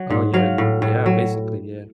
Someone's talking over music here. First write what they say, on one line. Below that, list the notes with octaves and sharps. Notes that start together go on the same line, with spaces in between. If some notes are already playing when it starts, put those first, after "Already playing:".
Oh, yeah Yeah. Basically, yeah.
Already playing: F#3
G#2
F#3 F5
A2
A2
F#3